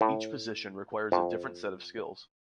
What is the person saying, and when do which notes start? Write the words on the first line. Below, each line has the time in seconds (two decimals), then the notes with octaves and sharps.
Each position requires a different set of skills.
0.01 A2
1.12 F2